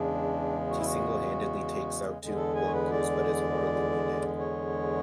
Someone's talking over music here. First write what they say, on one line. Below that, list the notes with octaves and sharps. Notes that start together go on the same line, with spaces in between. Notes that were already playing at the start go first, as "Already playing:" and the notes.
He single-handedly takes out two bunkers but is mortally wounded.
Already playing: E2 C#3 G#3 D4
F#4
E4
F#4
E2 D3 G#3
A4
G#5
C#5
B4
D5
C#5